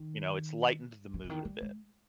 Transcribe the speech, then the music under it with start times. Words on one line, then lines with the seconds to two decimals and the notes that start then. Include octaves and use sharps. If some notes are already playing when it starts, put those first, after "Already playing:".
you know, it's lightened the mood a bit.
Already playing: D#3
1.14 F3
1.24 C#3
1.30 D#3
1.45 G3
1.61 G#3